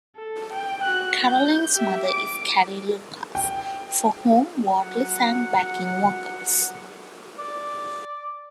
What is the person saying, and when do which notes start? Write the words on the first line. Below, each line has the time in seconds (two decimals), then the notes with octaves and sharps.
Carolyn's mother is Carrie Lucas, for whom Watley sang backing vocals.
0.16 A4
0.52 G5
0.84 F#4 F#6
1.29 G6
1.75 G4 E5
2.07 D6 D7
3.35 G5
4.81 F#3 F#5
7.39 D5